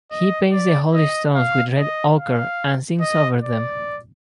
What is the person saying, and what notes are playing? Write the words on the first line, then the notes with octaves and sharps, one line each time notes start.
He paints the holy stones with red ochre and sings over them.
D#5
D5
D#5
F5
D#5
F5
D#5
D5